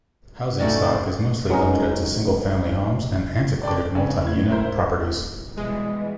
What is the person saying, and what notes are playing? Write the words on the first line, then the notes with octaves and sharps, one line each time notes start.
Housing stock is mostly limited to single family homes and antiquated multi-unit properties.
A2 C#3 A3 D#4 F#4 D5
F#3 G#3 B3 C#4 D#4 A#4
D5 G5 A5 D6
C#3 C4 C#4
A2 G#6
D1 E4 A#4 C5 G6
B2 E3 G3 G#3 D#5